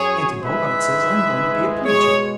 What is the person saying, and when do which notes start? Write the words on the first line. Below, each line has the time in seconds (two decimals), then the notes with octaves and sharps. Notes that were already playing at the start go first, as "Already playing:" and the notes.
Auntie Bogart says I'm going to be a preacher.
Already playing: F#2 F#3 G#4 C#5
0.42 G#2 E3 G#3 B4 E5
1.85 B2 G#3 G#4 C#5